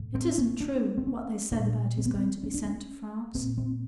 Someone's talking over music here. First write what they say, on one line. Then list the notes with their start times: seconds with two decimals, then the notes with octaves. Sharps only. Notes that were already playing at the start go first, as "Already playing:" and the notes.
It isn't true, what they said about his going to be sent to France.
Already playing: A2
0.15 C4
0.38 C#4
0.60 D4
0.98 C4
1.07 C#4
1.51 A#2 D4
1.98 C4
2.06 B3
2.14 C4
2.43 C#4
2.54 D4
2.65 C#4
3.35 A#2 C4
3.58 C4